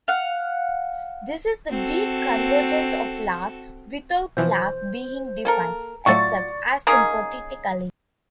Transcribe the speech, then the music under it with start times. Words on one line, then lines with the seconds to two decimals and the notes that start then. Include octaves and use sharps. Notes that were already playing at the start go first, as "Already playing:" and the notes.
This is the "weak convergence of laws without laws being defined" - except asymptotically.
0.08 F5 F#5
1.70 C4 F#4 A4
4.37 B2 E3 F3 C5
5.45 A#3 A4 A#4
6.06 A2 F#3 A3 F4 F#4 D5 C#6 A6
6.87 A#3 C#4 D#4 G#4